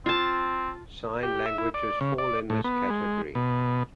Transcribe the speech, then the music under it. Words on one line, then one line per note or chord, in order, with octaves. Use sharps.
Sign languages fall in this category.
C4 F4 A5
G4
E5
E4
D5
C#3
D5
A2
B3
G#3
B2